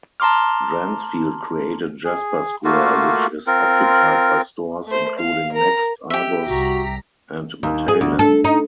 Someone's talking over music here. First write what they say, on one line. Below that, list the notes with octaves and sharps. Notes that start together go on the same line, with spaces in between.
Dransfield created Jasper Square which is occupied by stores including Next, Argos and Matalan.
A5 A#5 C6 D6 F6
G#4
A3 A#3 F4 F#4
C4 F4 A#4
A3 C5
F5
A#4 A#5
G4 E5
C2 F#4 A#5 B6
D#2
G#4
D2
A4
D#4